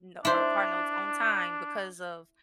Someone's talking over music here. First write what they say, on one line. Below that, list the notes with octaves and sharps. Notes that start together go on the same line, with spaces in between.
no uh, car notes on time because of,
D4 E4 C5